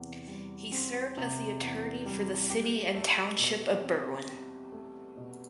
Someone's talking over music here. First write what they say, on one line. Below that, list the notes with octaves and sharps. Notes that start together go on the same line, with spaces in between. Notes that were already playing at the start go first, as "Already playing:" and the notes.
He served as the attorney for the City and Township of Berwyn.
Already playing: E2 C3 C4
G3
C4
C3
E2
G3
G4
A3
B2
C4
G4
A3
B2